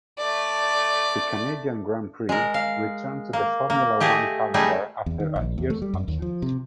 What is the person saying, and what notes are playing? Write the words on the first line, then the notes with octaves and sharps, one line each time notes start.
The Canadian Grand Prix returned to the Formula One calendar after a year's absence.
A3 D5
G#3 A#4
F5
A#3
A#3
A3 G4 G#4 D#5
G3 A3 D#4 G4 G#4
E2
D#3
A#1
E2
A3
G3
F#2
D#2
F3
C3